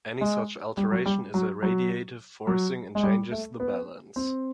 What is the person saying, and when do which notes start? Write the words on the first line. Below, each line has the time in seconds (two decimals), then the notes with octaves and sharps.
Any such alteration is a radiative forcing, and changes the balance.
0.21 G#3
0.77 G3
0.91 F#3
1.06 G3
1.34 F#3
1.62 F#3
2.47 F#3
2.95 G#3
3.03 G3
3.32 A3
3.60 B3
4.16 C4